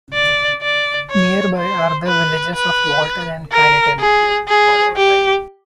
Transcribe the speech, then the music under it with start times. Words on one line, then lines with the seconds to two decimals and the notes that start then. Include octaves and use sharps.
Nearby are the villages of Walton and Kineton.
0.14 D5
0.62 D5
1.11 C#5
1.59 C5
2.07 B4
2.55 B4
3.52 A#4
4.00 G#4
4.48 G#4
4.97 G4